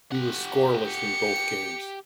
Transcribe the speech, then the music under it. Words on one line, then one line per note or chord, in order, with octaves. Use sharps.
He was scoreless in both games.
G4 F#5
C#7